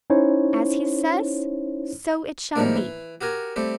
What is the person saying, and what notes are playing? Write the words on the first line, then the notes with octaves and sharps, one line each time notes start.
As he says, so it shall be.
C#4 D#4 E4 C5 C#5
A2 D#3 F3 G3 G#3 A#3
E3
F#4 G4 A#4 G#5
G3 A3 C4 G4